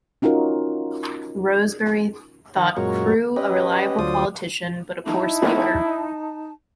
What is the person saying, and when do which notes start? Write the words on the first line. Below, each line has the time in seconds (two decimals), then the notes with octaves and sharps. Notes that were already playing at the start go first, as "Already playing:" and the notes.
Rosebery thought Crewe a reliable politician but a poor speaker.
0.22 C#4 D#4 F4 F#4 A#4
2.56 D#3 F#5 A#5
2.77 F#2 A#2 G#3 F#4 A#4 C#5
3.36 C#4 G4 B4 D#5
3.99 D2 F#3 F4 C5 D5 D#6
5.06 D#4 E4 A5